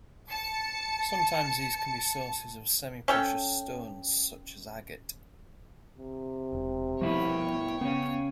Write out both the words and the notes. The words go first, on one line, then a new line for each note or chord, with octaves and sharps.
Sometimes these can be sources of semi-precious stones such as agate.
A5 C#7
C#4 A4 G5
C3
E1
G2 B2 F3 B3 E4 C#5 G5
C#3 B3 C#4